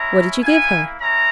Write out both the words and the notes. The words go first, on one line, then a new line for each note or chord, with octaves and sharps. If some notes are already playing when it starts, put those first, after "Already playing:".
'What did you give her?'
Already playing: G#3 C#4 E4 A#5
A#3 E4 G#5
G#3 C#4 E4 A#5